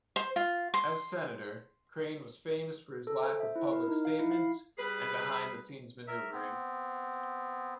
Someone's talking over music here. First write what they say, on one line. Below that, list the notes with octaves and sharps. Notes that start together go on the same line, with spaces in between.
As Senator, Crane was famous for his lack of public statements, and behind-the-scenes maneuvering.
C5
F4
C6
A4
C5
E5
E4
A#4
D#4
F5
E4
F5
G3 G#4 B4
A#4 E5
B3 C4